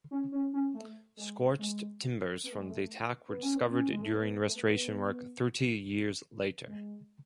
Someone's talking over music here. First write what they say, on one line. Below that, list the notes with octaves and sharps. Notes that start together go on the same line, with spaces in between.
Scorched timbers from the attack were discovered during restoration work thirty years later.
C#4
C#4
C#4
A3
G#3
G#3
B3
A3
G#3
A3
B3
C#4
B3
C#4
G#3
A3
B3
A3
B3
G#3